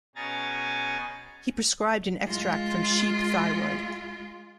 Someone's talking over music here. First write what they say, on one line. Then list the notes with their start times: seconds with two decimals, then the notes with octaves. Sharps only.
He prescribed an extract from sheep thyroid.
0.15 B2 C#4 G#4 G#5 A#5 A6
2.26 G#3 F4